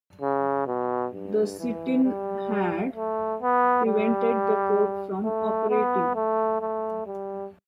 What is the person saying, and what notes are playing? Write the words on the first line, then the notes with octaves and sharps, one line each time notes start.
The sit-in had prevented the court from operating.
C#3
B2
G2
E3
G3
A3
B3
G3
A3
B3
A3
A3
G3